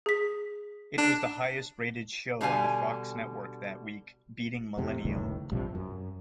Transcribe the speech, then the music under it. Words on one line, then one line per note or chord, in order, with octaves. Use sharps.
It was the highest-rated show on the Fox network that week, beating "Millennium".
G#4 B6
D4
B2 D3 G3 F5 F#5 G#5
F2 C3
F1 C#2 A2 D#3
A#1 G2 C3 F3
F#2